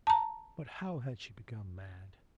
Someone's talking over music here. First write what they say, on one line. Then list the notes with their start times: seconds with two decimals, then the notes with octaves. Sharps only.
But how had she become mad?
0.07 A5 A#5